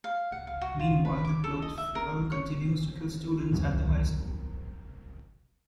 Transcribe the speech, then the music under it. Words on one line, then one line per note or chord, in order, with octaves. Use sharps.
Meanwhile, the cloaked figure continues to kill students at the high school.
F5
F#5
F5
F#4
F4
B4
D6
A4
D#5
E5
A#4
C#5
B1 E2 G2 B2